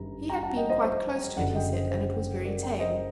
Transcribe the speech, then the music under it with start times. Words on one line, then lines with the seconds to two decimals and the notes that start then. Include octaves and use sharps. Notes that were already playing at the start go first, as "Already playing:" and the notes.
He had been quite close to it, he said, and it was very tame.
Already playing: G1 F#2 D#3 G3 A#5
0.29 G5 A#5
0.43 F#5 A5
0.57 D#5 G5
0.70 C5 D#5
0.84 C5 D#5
1.37 F#1 F#2 D3 D5 F#5
1.55 D#5 G5
1.73 C5 D#5
1.91 C5 D#5
2.45 A#4 D5
2.63 G5 A#5
2.80 C5 D#5